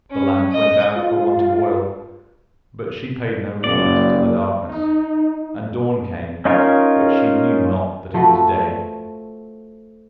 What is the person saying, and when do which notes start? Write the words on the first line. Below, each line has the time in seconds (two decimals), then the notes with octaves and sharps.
The lamp went out for want of oil, but she paid no heed to the darkness, and dawn came, but she knew not that it was day.
0.11 C#4
0.52 D#5
0.96 F4
3.64 F#1 A#3 D5
4.69 D#4
6.45 C#4 D#4 F4 A#4 C#5
8.14 F3 A3 F#4 B4